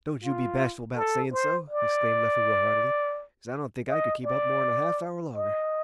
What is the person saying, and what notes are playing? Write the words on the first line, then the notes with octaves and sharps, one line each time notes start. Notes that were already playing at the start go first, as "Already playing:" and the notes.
"Don't you be bashful about sayin' so," exclaimed Leffingwell heartily, "'cause I don't think I could keep up more'n a half hour longer."
F4
A4
C5
D5
D#5
D5
D#5